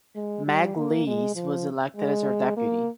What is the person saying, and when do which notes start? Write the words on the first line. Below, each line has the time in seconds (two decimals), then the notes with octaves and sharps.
Meg Lees was elected as her deputy.
0.15 G#3
0.46 G3
0.76 A#3
1.07 G#3
1.35 F3
1.96 G#3
2.57 A#3